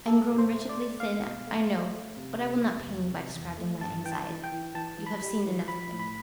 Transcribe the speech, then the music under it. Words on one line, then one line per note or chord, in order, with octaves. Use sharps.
I am grown wretchedly thin, I know; but I will not pain you by describing my anxiety; you have seen enough of it.
A3 A4
B2
C5
A3
D5
A3
A3 F5
B2
A3
A3
A3
C3
C3
C3
E2
C3
E2
A3
G2 A5
E3 G5
A5
E3
G5
E3
E3 A5
E3
B5
G3
E3
F3 B5
A2
B5